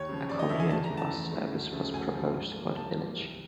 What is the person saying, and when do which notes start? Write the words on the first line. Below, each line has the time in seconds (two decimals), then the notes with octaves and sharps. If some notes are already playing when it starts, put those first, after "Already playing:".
A community bus service was proposed for the village.
Already playing: D#2 C#5
0.09 C#3 F3
0.28 D#2 D5
0.39 D#5
0.49 C#3 F3 E5
0.60 G#5
0.70 E2 A5
0.84 A#5
0.91 C#3 E3 A3
0.97 A5
1.11 E2
1.31 C#3 E3 A3
1.53 D2
1.73 C#3 F3 A3
1.93 D2 G#5
2.14 C#3 F3 A3
2.34 G#2
2.55 F3 A#3
2.75 G#2 A5
2.96 F3 A#3
3.17 C2